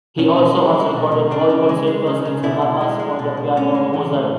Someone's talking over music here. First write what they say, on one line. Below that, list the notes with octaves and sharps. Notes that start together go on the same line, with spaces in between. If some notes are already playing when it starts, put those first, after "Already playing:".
He also has recorded all concertos and sonatas for the piano of Mozart.
B2 C#4
B2
G#3
G#3
B2
B2
C#3 D4
C#3
G#3
G#3
C#3
C#3
B2 E4
B2
G#3
G#3
B2
B2
A2 C#4
G#3
E3
A2